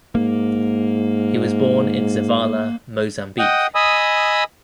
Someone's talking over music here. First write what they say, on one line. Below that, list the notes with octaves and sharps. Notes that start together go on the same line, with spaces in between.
He was born in Zavala, Mozambique.
G#2 A#3
D#5 F#5 G5 D#6
D#5 G#5 B5 D#6 E6